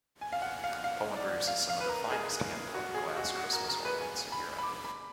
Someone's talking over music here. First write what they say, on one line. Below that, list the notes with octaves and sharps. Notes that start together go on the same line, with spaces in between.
Poland produces some of the finest hand-blown glass Christmas ornaments in Europe.
G#5
F5
F#5
F5
F5
D5
F5
F5
B4
A#4
G#4
F#4
G#4
F#4
F#4
A#4
A#4
B4
G#5
B5
B5
D6
B5